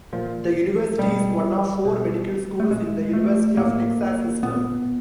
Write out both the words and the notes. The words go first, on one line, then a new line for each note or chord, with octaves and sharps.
The university is one of four medical schools in the University of Texas System.
A#2 F3
B2 G3
B2
A3
A#2 G#3
A3
A2 A#3
A#2 B3